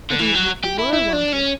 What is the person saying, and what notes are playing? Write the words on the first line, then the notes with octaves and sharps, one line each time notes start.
"But even if you were wanted--?"
D3
E3
F#3
G4
E4
E4
D4
C#4